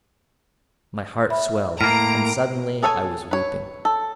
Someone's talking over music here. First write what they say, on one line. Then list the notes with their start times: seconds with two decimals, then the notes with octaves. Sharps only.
My heart swelled, and suddenly I was weeping.
1.30 E5 B5
1.81 A2 A#3 A#5 F6 D7
2.82 G#4 A4 C#5 F5 G#5
3.31 B4 C#5
3.85 A4